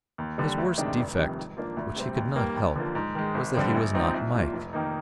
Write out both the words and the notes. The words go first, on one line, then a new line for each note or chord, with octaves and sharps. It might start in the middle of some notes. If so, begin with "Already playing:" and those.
His worst defect--which he could not help--was that he was not Mike.
D#2
D3 G3
D2
C3 D#3 G#3 D4
F1
F2 C3 D#3 G3
G#2
F3 A#3 D4
D2
C3 G3 C4
D#2
D#3 G3 A#3
D#2
D3 F3 A#3
G#2
D#3 G#3
G#1
G2 D3 G3 C4
A#1
G#2 F3 C4 D#4
C2
A#2 F3
F1
D#3 A#3 D#4